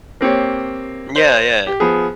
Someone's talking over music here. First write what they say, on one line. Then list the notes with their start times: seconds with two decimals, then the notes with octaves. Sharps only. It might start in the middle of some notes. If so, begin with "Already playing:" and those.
Yeah, yeah.
0.21 A#3 C4 G4 C#5
1.16 C5
1.67 G4
1.80 F3 B3 G#4